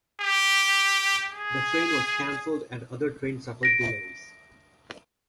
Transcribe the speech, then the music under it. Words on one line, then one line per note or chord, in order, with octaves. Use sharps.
The train was cancelled and other trains suffered delays.
G4
G#4
A#6 D7